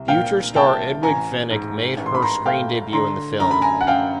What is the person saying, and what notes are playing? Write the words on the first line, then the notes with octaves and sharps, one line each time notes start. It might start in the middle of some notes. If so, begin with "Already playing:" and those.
Future star Edwige Fenech made her screen debut in the film.
Already playing: C2
A#2 F5 G5
C2 G5 A5
A1 G#5 A#5
G#2
A1
C6
B5
A#5 C6
A3 F5 G5
D3 A#5 C6
F#2 A#5
B5
G#5 A#5
F#5
F#2 F5 G5